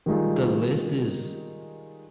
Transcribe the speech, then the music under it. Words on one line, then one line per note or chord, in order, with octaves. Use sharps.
the list is
D#3 G3 G#3 D#4 F4 G#4